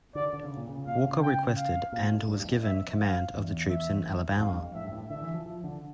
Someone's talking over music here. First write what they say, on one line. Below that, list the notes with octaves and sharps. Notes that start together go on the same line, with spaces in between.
Walker requested, and was given, command of the troops in Alabama.
D3 D5
D3
C#3
A#2
C#3
A#2 F5
C#3
G5
F5
A#2
A2
G2
G2
F2
E5
F5
E2
E5
G2
F2 F5
G2
F2
A2 E5
G2
A2
D3 E5
E3
F3
F3
D3